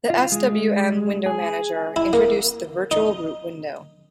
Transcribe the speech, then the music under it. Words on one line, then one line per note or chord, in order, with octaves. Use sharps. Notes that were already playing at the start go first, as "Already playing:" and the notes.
The swm window manager introduced the virtual root window.
F4
G#3
G#4
E4
A#3
D#4